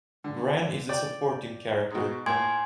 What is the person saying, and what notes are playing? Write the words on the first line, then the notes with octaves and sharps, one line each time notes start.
Gran is a supporting character.
D3
D5 G5
G#2 B2
A2 A#3 G#5 C6 G#6